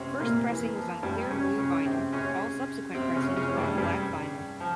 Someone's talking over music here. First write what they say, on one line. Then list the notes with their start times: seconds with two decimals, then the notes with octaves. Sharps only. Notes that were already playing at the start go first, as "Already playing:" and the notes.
First pressing was on clear blue vinyl; all subsequent pressings were on black vinyl.
Already playing: C3 C4 C#4
0.20 A#2 A#3
0.48 E3
0.76 F3
1.03 G2 G3
1.31 C#3 C#4
1.58 C#3 C#4
1.85 C3 C4
2.13 C#3 C#4
2.95 C3 C4
3.15 C#3 C#4
3.36 C#3 C#4
3.57 G2 G3
3.78 G2 G3
4.60 F3